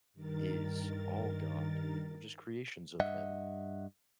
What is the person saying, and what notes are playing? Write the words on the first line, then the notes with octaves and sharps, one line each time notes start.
is all God, we're just creations of him,
G2 D#3 A#4 A6
G2 D#5 E5 F#5